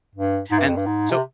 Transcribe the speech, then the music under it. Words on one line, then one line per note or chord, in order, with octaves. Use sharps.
And so
G2
G#2
G2
F2
G2
G#2
C3